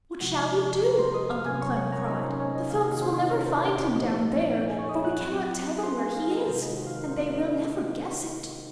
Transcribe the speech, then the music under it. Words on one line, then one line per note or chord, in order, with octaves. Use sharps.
"What shall we do?" Uncle Clem cried, "The folks will never find him down there, for we can not tell them where he is, and they will never guess it!"
C3 F3 G#3 F#4 F#5
A#4 A#5
C5 C6
D#5 D#6
F5 F6
C3 F#3 C#4 F4 G#5 G#6
C#5 C#6
C#5 C#6
A#4 A#5
D#4 D#5
C5
C#4 C#5
C#4 C#5
D#4 D#5
C3 D#3 A#3 D#4 F4 F5
F#4 F#5
C5 C6
D#4 D#5
C#4 C#5
C5
C5
A#2 F3 G#3 D#4 D#5
G#4 G#5
C#5 C#6
D#5 D#6
F#5 F#6
F#3 C4 F4
C5 C6
G#4 G#5
F4 F5
D#4 D#5
C3 D#3 G#3 C5
D#4 D#5
F#4 F#5
F4 F5
A#4
C5
D#4 D#5